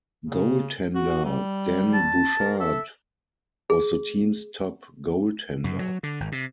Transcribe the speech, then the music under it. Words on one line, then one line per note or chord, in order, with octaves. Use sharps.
Goaltender Dan Bouchard was the team's top goaltender.
C#3
F#4
G3
A5
A#4
A4 E5
G#4
F#2
F#3
D3
G#1
C3